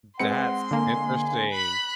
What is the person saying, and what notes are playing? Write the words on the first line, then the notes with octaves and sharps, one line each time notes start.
That's interesting.
G#3 C4 B4 F#5 C6 C#7
D3 A#3 G#5
B5 F#6